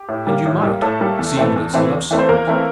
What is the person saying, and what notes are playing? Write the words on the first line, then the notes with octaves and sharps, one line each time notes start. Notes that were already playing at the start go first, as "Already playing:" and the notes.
And you might--seeing that it's a love secret!
Already playing: G4
A2
G3 A#3
A2
G3 A#3
A2 A3 A4
G3 A#3
E2
E3 A3 C4
E2
E3 A3 C4
E2
E3 A3 C4
C5
E2 A#3 A#4
E3 A3 C4